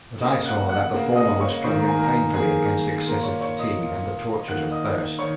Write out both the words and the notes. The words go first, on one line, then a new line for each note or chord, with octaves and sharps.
But I saw that the former was struggling painfully against excessive fatigue and the tortures of thirst.
C#3 A#3 D#5 D#6
F#5 F#6
F#5 F#6
C#3 A#3
D#5 D#6
C#5 C#6
D#3 A#3 C#6
A#5
G#5
A#4 A#5
D#3 A#3 G#4 G#5
A#2 A#3 A#4 A#5
C#5 C#6
C#5 C#6
D#5 D#6
A#3
A#2
D#3 A#3 F#5 F#6
D#5 D#6
D#3 C#5 C#6